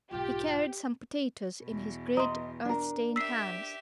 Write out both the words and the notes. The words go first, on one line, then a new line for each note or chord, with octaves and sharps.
He carried some potatoes in his great earth-stained hands.
B1 G#2 F4 G4
E2 B2
D#5 A#5 C6
D4 A#4
G4 E5 E6 B6 C7